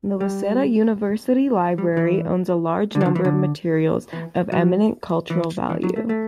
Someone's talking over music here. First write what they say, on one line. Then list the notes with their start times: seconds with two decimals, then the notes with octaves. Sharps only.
The Waseda University Library owns a large number of materials of eminent cultural value.
0.21 G3
1.78 G3
1.97 E3
2.95 D3
3.01 E3
3.06 D3
3.15 E3
3.25 D3
4.13 E3
4.52 F#3
5.30 E3
5.70 E3
5.83 F#3
5.96 A3
6.09 A3